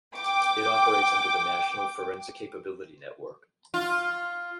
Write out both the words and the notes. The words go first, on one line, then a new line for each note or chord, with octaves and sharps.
It operates under the national Forensic Capability Network.
G5 D6
F4